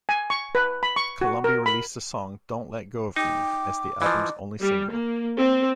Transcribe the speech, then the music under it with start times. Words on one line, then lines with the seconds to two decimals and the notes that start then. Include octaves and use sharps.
Columbia released the song "Don't Let Go of Me" as the album's only single.
0.09 G#5
0.30 C#6
0.55 B4
0.83 B5
0.96 C#6
1.21 F#4
1.44 A#4
1.66 B5
3.16 D#4 G5 D6
4.02 E3 F3 D#5
4.60 G3
4.90 A#3
5.38 C4